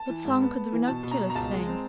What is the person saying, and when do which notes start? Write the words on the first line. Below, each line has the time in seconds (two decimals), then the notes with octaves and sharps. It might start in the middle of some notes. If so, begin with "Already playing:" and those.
What song could the Ranunculus sing?
Already playing: A5
0.09 E3
0.25 G#2
0.41 B3
0.57 B3
0.72 E3
0.87 B2 A5
1.03 B2
1.11 A#5
1.20 B2
1.30 A#5
1.35 C#2 A5
1.51 G#3
1.67 C4